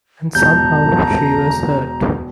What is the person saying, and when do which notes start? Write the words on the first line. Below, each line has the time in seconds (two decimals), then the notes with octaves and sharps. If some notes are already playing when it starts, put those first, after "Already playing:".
And somehow, she was hurt.
0.35 E1 A5 A#5 G6